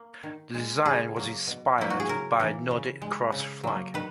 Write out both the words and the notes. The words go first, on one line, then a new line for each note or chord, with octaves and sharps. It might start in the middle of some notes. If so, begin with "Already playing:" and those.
The design was inspired by the Nordic Cross flag.
Already playing: A#3
D#3
G#3
C#3 G#4
F#3 A#3
B2
F#3 A#3 E4
F#4
G#4
C#3 A#4
E3 A#3
C#3
G#3
C#3
F#3 A#3
D#3 B4